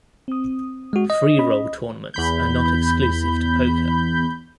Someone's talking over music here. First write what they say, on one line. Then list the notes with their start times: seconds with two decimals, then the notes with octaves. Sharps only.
Freeroll tournaments are not exclusive to poker.
0.28 C4 D#6
0.93 G#3 F#4
1.10 D#5
1.39 C#4 B5
2.14 E2 B5 G6